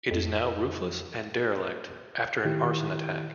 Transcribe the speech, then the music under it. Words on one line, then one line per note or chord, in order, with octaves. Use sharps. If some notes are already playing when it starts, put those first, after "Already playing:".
It is now roofless and derelict after an arson attack.
F2
A2 D#3 E4 G4